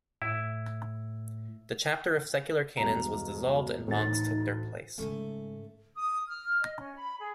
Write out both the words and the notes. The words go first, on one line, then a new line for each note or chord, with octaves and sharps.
The chapter of secular canons was dissolved and monks took their place.
A2 E4
E1 B1 G2 A#5
D2 A2 E3 D#4 A6
G#2 C#3 A3 G#5
D#6
F6
D#5
C#4
B5
G#4